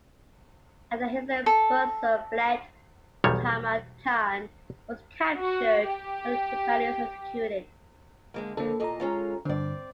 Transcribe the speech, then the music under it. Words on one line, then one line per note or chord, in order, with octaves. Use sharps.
After Hasan Buzurg fled, Muhammad Khan was captured by the Chupanids and executed.
A4
B1 E2 D#3 G3 C#5
F#4
G4
D3 G#3 A#3
F2 A2 D3 A#3 A4
E2 A#2 A4 D#5 A#5
G#3 C#4 F4
G2 D3 C4 D5